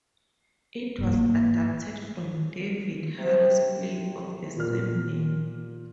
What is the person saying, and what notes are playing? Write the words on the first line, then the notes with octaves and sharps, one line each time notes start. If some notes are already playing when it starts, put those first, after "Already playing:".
It was adapted from David Hare's play of the same name.
G#2 A#3
C3
A#2 F6